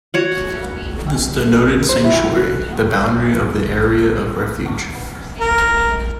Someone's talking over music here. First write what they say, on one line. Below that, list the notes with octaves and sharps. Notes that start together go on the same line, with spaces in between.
This denoted sanctuary, the boundary of the area of refuge.
F#4 C#5 F#5
C5
E4
F#4
A#4